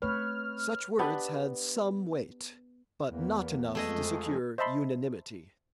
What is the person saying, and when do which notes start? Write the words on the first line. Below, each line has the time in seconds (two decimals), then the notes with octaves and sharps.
Such words had some weight, but not enough to secure unanimity.
0.02 A3 C4 B4 C#5 F6
0.99 B3 D4 G4 B4
3.10 E2 A#3 B3
3.75 F2 G#3 A3 G#4 D#5
4.58 C5 D#5 E5 A5 B5 C6